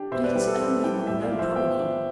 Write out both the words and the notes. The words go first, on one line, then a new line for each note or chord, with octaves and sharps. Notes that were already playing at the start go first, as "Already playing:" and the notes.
'But it is only among our own progeny.'
Already playing: D4 G4
B2 C5 E5
B4 D5
G3 B4
A4
C4 B4
E4 E5 G5
A2 E5 G5
D5 F5
F3
C5 E5
B3 E5 G5
D4